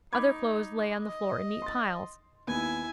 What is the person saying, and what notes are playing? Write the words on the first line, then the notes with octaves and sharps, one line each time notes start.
Other clothes lay on the floor in neat piles.
D#4 B5 D6 G#6
D#5
C6 A6
D#2 B3 E4 G#5